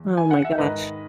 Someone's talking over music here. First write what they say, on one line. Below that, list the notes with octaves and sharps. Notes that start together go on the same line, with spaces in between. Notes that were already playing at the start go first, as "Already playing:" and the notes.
Oh my gosh.
Already playing: E2
G#5
F#5
E5
G#2 D#3 B4 D#5